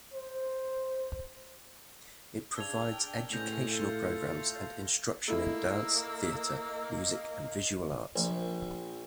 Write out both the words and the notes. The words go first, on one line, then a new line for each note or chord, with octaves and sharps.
It provides educational programs and instruction in dance, theatre, music and visual arts.
C5
C#3 D4 E6 G#6 F7
D4 A#4 G5
A2 G#3 B3 C#4 G6 A#6 F7
A3 F4 A4 F5
A3 A#3 E4 D#5 E6
A#1